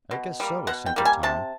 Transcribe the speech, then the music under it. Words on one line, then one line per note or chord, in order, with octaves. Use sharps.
"I guess so," assented Tom.
B2
G3 A#3
B2 F#5
G5
G3 A#3
G#5
C3 A5